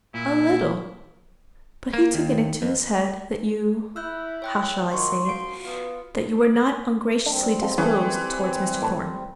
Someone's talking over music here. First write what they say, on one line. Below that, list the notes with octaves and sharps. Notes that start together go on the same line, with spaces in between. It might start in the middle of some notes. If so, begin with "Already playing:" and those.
'A little; but he took it into his head that you--how shall I say it?--that you were not ungraciously disposed towards Mr. Thornton.
A#2 E4
A#3
D#2
F2
E4 E6 F#6 G6
C#5 G5 F#6
D#3 F3 F#3 C6 C#6
F#2 F3 F#4 C6 D7
B3 F4
G3 C4 D4
F2
C#3 E3 A3
A2 A5